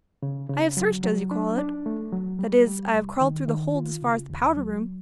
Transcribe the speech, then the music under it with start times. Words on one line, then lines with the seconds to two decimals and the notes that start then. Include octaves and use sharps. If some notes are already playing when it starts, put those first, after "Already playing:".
"I have searched, as you call it--that is, I have crawled through the hold as far as the powder-room."
0.23 C#3
0.50 C#3
0.77 F#3
1.04 F#3
1.31 D4
1.58 D4
1.86 A3
2.12 F#3
2.39 G3
2.67 G3
2.94 C2
3.21 D#3
3.48 D#3
3.75 F4
4.02 C#3
4.30 D#2
4.57 F#3